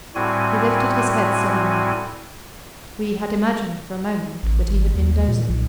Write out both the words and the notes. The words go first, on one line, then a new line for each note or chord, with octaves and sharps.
He lifted his head suddenly; we had imagined for a moment that he had been dozing.
A2 G3 C4 F#4 G#5
A1
G#1
D#2
A#2
B1